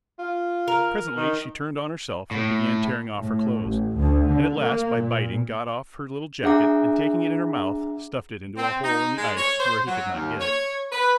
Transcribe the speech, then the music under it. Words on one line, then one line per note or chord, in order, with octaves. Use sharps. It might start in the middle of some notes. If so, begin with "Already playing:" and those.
Presently she turned on herself and began tearing off her clothes, and at last by biting got off her little jacket and taking it in her mouth stuffed it into a hole in the ice where he could not get it.
F4
A#4
D#3
A2
A2
A1
D2
D3
A#3
A#2
D4 G#4 E5 F#5 A#5 D6
C4
D#4
G#3
C#5
C5
F#3
D#2
C#5
B4